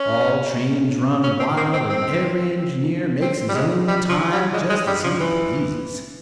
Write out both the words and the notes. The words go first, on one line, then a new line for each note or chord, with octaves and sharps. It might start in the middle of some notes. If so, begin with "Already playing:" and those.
All trains run wild and every engineer makes his own time, just as he pleases.
Already playing: C#4
C#4
C4
A#3
C4
C4
C4
G3
G#3
G3
F3
G3
G#3
G#3
G3
F3
E3